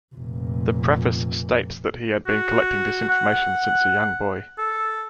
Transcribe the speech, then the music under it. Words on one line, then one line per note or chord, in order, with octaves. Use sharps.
The preface states that he had been collecting this information since a young boy.
F1 A#2
F#4
F#5
A4